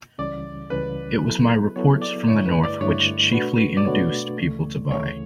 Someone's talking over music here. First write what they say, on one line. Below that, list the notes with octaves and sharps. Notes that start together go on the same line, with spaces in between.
It was my reports from the north which chiefly induced people to buy.
C#2 C#3 E3 G3 C#4 D5
C#2 C#3 E3 G3 C#4 B4
F#3 B3 E4 A4
F#3 B3 E4 A4 C#5
D5
G2 D3 A3 E4 C#5
B4
D5
G2 D3 A3 E4 C#5
B2 A3 D4 F#4 B4
D5
B2 A3 D4 F#4 B4 C#5
D2 C#3 E3 A3
D2 C#3 E3 A3 C#5